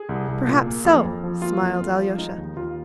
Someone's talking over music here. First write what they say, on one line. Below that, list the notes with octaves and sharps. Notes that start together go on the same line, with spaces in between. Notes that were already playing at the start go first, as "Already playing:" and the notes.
"Perhaps so," smiled Alyosha.
Already playing: G#4
C2
C2
A#2
A#3
F2
F2
F3
A#3 F4
F2
F2
F3
G#3 D#4
D#2
D#2 F4